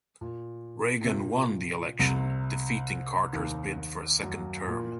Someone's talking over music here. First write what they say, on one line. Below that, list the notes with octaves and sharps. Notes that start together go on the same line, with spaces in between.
Reagan won the election, defeating Carter's bid for a second term.
A#2
C3
A#2
C2 C3
D#2 D#3
F#2 F#3
A#2 A#3